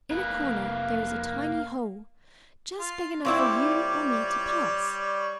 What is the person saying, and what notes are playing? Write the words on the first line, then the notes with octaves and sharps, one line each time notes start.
In a corner there is a tiny hole, just big enough for you or me to pass.
F1 A#3 B4
F4
A#2 G3 C4 E4 C#5 D5